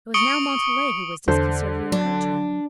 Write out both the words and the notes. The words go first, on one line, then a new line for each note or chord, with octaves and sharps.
It was now Montalais who was disconcerted in her turn.
C#6 D#6 C#7 D7 F#7 G7
E2 D3 A4 C5
F#3 D4